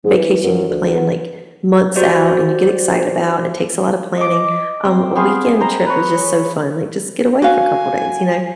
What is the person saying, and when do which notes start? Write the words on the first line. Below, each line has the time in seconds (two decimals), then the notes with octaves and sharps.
vacation you plan, like, months out and you get excited about and it takes a lotta planning, um, a weekend trip is just so fun, like, just get away for a couple days, you know?
0.04 G#2
0.17 E3
0.44 F#2
0.69 D2
0.94 B3
1.96 F#4 G4 C5 D5
4.17 D#5 D6
4.85 C4
5.15 B3 C4 G#4 F5
5.61 C5 A#5 E6
5.87 B4 C#5
7.42 F#4 F5 G#5